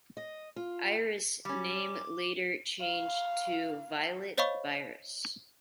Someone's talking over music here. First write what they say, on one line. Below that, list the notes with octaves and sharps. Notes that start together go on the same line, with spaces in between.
Iris' name later changed to Violet Virus.
D#5
F4
G3 C#4 D6
F5
C5 C#5 D#5 F5 B5 C#6